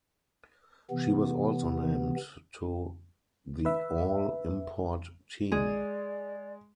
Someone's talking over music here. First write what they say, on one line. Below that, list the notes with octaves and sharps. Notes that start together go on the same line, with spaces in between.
She was also named to the all import team.
C3 E3 B3
B4 E5
G#3 G#4 D5